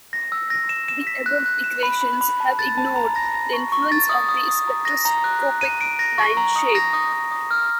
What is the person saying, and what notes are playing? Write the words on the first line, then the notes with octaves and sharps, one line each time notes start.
The above equations have ignored the influence of the spectroscopic line shape.
A#6
E6
A#6
E7
E7
B6
F#6
F#6
E7
B5
B5
B5
A5
A6
A5
A#5
A#6
A#6
C#6
C#6
A6
D#6
D#6
D#6
A#5
A#6
A#5
F#6
F#6
D#7
D7
A#6
C#6
A#5
D#6
A#6
D#6
D#6
D#6
F6